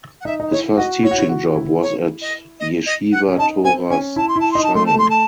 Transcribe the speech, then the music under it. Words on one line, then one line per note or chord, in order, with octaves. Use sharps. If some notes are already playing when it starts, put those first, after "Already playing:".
His first teaching job was at Yeshiva Toras Chaim.
F#5
D#4 E5
D#4
E4 C#5
F#4 D#5
E4 C#5
F#4
E4
F#4
E4
C#5
D#5
D#5
D#5
F#5
C#4
D#4 A5
C4 G#5
C#4 G#5
E4 A5
C6
E4 A5
D#4 C6
A5
A3 C6
A5
A3 C6
A5